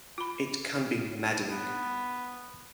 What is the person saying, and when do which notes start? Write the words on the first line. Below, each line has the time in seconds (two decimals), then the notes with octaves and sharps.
It can be maddening.
0.18 F4 B5
1.50 B3